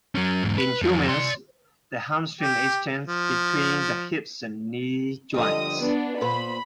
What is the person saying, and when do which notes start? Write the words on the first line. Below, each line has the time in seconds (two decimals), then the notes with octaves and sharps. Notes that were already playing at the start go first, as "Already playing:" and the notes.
In humans, the hamstring extends between the hip and knee joints.
0.15 F#3 C#4
0.44 E2 G#2
0.58 B4
0.82 F2 F#4
1.09 D5 C6
2.41 G4
3.07 F3
5.34 D3 F3 G3 D#5 D#6
5.79 B3 D4
6.21 A#2 B4 C5 B5